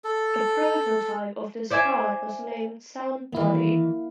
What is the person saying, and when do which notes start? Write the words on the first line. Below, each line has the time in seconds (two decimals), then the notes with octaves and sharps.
A prototype of this card was named "Sound Buddy".
0.04 A4
1.70 C5 D5 E5 G#5 G#6
3.32 D#3 E3 A#3 E4 F5